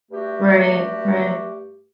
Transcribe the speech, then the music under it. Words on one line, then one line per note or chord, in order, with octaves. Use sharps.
Right. Right.
G2 A3 F#4 G4